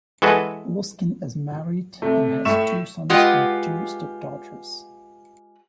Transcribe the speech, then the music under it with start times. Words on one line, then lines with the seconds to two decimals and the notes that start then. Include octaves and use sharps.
Luskin is married and has two sons and two step daughters.
0.22 E3 G#3 F#4 A4 B4
2.02 C3 A3
2.45 A2 E5 C#6 E7
3.10 G#3 F4 G4 B4 F#5